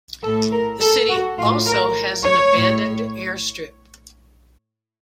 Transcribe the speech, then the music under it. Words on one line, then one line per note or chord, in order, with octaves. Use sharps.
The city also has an abandoned airstrip.
A2 A4
A#4
A4
F#4
A2 F4
A#4
C#5
A2